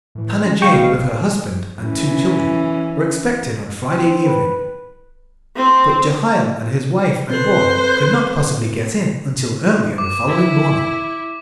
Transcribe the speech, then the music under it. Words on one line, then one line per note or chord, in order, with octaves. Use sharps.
Hannah Jane, with her husband and two children, were expected on Friday evening; but Jehiel and his wife and boy could not possibly get in until early on the following morning.
A2 E3
C#4 A#6
B2 F5 G5 C#6
A1 C3 A3
E3 C#4
C4
B4
C4
C4 A4 B4 C5
D6
E4